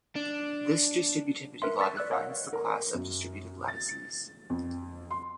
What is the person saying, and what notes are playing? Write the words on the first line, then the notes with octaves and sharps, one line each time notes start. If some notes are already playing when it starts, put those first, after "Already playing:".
This distributivity law defines the class of distributive lattices.
D4
A#4 B4 E5 C6
C#6 E6 A6 B6
B4 D5 E6 F#6
A#4 C#5 D#5 F5 F#5
A#4
F#2
A6
F2
C6